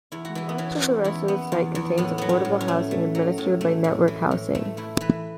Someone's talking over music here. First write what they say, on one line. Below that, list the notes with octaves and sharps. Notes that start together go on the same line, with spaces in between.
Much of the rest of the site contains affordable housing administered by Network Housing.
E2 E4
F#4
E3 E4
B3
E3 C#4
E2
E2 E4
B3
E2
E2
A2 B3
F#3 B3
C#4
A2
C#4
A3
A3
F#3
A2
A3
A2
E3
A2
A3
A3 E4
E3 B4